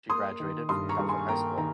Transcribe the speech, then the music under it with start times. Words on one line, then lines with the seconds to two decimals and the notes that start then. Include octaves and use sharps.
She graduated from Kelvin High School.
0.10 A#3 C6 D#6
0.40 D#3
0.69 G2 C6 D#6
0.89 A#5 C#6
0.99 G2
1.09 G#5 C6
1.28 A#3 G5 A#5
1.58 D#3 A#5